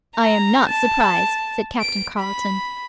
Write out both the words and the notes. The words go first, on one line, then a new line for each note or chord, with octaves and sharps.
"I am not surprised," said Captain Carleton.
A#5
A5
D7
B5